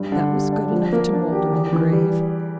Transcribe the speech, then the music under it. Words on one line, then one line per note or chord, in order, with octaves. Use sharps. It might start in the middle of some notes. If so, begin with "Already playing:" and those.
That was good enough to moulder in the grave.
Already playing: G2
D3
G3
D4
F3
A#3
D4
G4
E2
E3
G3